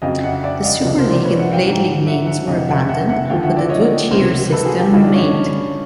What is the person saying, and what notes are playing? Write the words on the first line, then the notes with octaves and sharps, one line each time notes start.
The Super League and Plate League names were abandoned, but the two-tier system remained.
F2 C#3 F#3 D#5 F5
E5 F#5
D5 E5
D#5 F5
C#2 C3 F3
A#4 C5
C5 D5
B4 C#5
E5 F#5
F5 G5
G#2 F3
E5 F#5
E5 F#5
F2 C3 E3 D#5 F5
E5 F#5
E5 F#5
E5 F#5
D#2 D3 F3 F5 G5
E5 F#5
D5 E5
C#5 D#5
C#2 C3 E3 A#4 C5
A4 B4
F#4 G#4
F4 G4
G2 D3 F#3 D#4 F4
D4
C#4 D#4